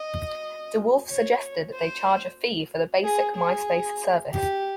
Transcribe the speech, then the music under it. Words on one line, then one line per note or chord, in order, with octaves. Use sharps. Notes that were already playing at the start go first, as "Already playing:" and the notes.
DeWolfe suggested they charge a fee for the basic Myspace service.
Already playing: D#5
C#5
C5
G#4
G#4
G4